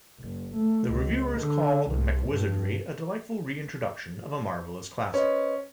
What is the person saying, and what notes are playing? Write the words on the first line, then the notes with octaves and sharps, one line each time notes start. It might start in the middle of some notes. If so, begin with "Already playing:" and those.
The reviewers called MacWizardry a delightful reintroduction of a marvelous classic.
F#1
A3
C#2
D3
C2
G2
C#4 B4 C5 D#5